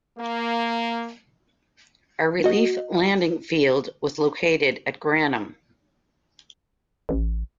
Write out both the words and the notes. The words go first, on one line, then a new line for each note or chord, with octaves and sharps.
A relief landing field was located at Granum.
A#3
F#4 D#5
A1